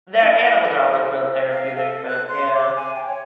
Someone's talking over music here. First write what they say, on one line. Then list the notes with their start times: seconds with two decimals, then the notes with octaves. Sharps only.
their animals are always real therapeutic, but yeah.
0.22 E4
0.65 A4
0.94 C5
1.52 F5
1.76 A4
2.07 F#6
2.28 C6
2.54 D6
2.76 G#5
2.96 G5
3.07 C#5